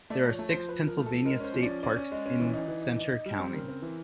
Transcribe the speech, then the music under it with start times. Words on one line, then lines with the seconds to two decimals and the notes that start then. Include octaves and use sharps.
There are six Pennsylvania state parks in Centre County.
0.10 A3 D5
0.25 F3 C#5
0.39 A3
0.49 F3 C5
0.68 F3 B4
0.83 F3 A#4
0.97 A3
1.06 F3 A4
1.25 G#3 A#4
1.40 C#4 C5
1.53 F3
1.63 C#4 D5
1.83 C#4 D5
1.97 C#4
2.12 G#3
2.26 C#4
2.40 E3
2.53 D#4
2.68 E3
2.82 D#4
2.96 D#4
3.11 D#4
3.26 G3
3.40 C4
3.54 C#3 A#4
3.68 C4
3.82 E3